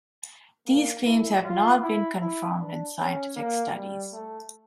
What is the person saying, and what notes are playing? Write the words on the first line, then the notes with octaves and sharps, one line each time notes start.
These claims have not been confirmed in scientific studies.
A#3
E4
F4
E4
E4
D4
C#4
A#3
G3
A3